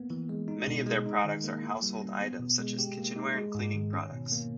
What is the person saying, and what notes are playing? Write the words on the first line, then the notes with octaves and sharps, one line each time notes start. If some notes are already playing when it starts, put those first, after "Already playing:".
Many of their products are house-hold items such as kitchenware and cleaning products.
Already playing: A#3 B3
E3
G#3
D#4
B2
G#3
D#4
D#3
A#3
E4
G3
C#4
B3
B2
G#3
G4
A#3
D#4
G#3
G#2
D#3
C#4
B2
A#3